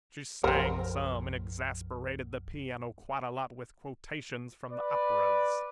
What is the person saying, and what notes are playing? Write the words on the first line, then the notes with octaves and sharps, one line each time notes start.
She sang some, and exasperated the piano quite a lot with quotations from the operas.
B1 F#2 F3 C4 A#4
B4 D5